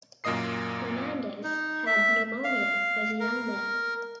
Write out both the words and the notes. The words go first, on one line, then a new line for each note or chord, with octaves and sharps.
Hernandez had pneumonia as young man.
F#2 A#2 A#3 D#5 D#6 C7
D#4
E5
F5
A#4